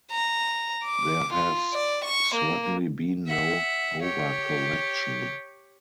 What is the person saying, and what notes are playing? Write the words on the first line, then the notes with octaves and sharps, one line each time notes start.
There has certainly been no overcorrection.
A#5
D6
F4
D5
C#6
A#3
E5 F#5
G4 C#5